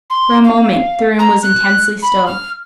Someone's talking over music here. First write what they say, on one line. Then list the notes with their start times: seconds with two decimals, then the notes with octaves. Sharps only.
For a moment the room was intensely still.
0.10 C6
0.44 F5
1.19 A#5
1.43 F#6
2.02 B5
2.26 F6